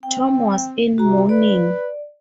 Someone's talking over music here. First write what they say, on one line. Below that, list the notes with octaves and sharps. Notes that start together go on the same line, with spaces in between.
Tom was in mourning.
C4 G5
C3 F#4 A#5
B4 D5